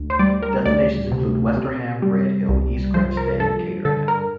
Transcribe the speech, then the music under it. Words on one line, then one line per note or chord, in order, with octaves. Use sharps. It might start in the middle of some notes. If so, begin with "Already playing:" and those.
Destinations include: Westerham, Redhill, East Grinstead and Caterham.
Already playing: D2
C5
G3 D5
A#4
D2 D5
C3
C3
G3
C2
F3 C5
A#4
G2 A4
D3 A4
A#4